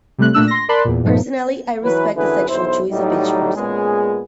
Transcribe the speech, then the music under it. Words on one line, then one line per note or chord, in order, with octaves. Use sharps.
Personally, I respect the sexual choice of each person.
C3 G3 A3 C4 F#6
A#2 A3 D4 E6 F#6
C6 A#6
A#4 D5 A5 B5 C6 F#6
E2 A#2
G2 A#2 F3 A3 D#4
E3 F#3 B4
F#2 D3 E3 E4 G#4 B4
B1 E2 E4 C5
A2 F#3 G3 D#4
A#2 G#3 B3 C#4 G#4